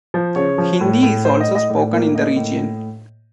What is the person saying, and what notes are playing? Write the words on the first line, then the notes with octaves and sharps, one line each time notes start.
Hindi is also spoken in the region.
F3
C#3 C#5
F3
A2
A2
A2 C5
D#5
A2
D#5
A2 D5
A#3
A#3 D#5
A2